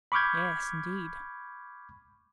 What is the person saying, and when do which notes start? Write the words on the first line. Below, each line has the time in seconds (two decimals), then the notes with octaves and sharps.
"Yes, indeed."
0.12 B5 C#6 D6 F6 G6 G#6